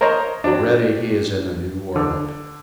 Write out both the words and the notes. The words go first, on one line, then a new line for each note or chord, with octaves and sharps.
Already he is in a new world.
A#4 C5 C#5 D#5 A#5
F#3 C4 D4
D3